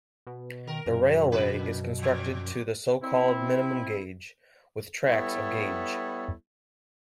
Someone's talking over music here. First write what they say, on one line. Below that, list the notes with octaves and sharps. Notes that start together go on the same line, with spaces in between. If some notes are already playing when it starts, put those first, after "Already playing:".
The railway is constructed to the so-called minimum gauge, with tracks of gauge.
B2
D#3 A#4
F#2 B2
C#3 B4
A#2 F3
C4 E4
G3 B3 E4 A4 C#5